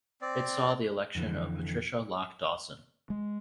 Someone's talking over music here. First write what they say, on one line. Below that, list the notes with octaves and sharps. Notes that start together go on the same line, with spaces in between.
It saw the election of Patricia Lock Dawson.
C4 D5
F2 D3 E3
G#3